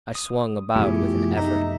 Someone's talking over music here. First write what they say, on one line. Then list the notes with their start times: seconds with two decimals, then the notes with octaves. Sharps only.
I swung about with an effort.
0.15 D#6
0.76 F#2 C3 F3 A3 B3 E4 G4 G#4
1.36 D#4 E5